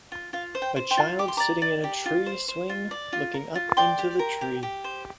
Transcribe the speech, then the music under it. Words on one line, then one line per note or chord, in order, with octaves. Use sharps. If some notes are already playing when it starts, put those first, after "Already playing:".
A child sitting in a tree swing looking up into the tree.
F4
F4 F5
C5
G5
C5
G5 C6
F4
G4 D6
C6
D5 A#5 D6
D5
G4
F4
C5
C5
F4
D5
F4
A#4
F4
D5 G5 C6
G4
A#4
G4
G4
C5